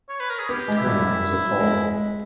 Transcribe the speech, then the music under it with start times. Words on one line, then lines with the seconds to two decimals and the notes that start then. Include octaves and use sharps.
Caroline was appalled.
0.09 C#5
0.20 B4
0.29 A#4
0.39 G#4
0.49 B3 G4
0.68 G#3
0.78 E4
0.86 G3
1.60 G#3